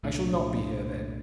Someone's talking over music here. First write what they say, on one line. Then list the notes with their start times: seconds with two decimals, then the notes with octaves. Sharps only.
'I shall not be here then.'
0.03 C2 A#2 A3 D4